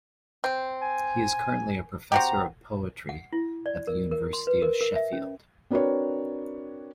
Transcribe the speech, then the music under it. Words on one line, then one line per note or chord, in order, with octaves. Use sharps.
He is currently a Professor of Poetry at the University of Sheffield.
C4
G#5
C4 F#4 G4 A#5
F#5
E4
D5
A#4
A#4
C6
B4
A#4
A#4
E5
C#4
C4 D4 F#4 A#4 B4 C#5